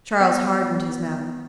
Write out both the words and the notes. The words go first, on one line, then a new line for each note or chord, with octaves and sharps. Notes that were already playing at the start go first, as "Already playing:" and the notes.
Charles hardened his mouth.
B3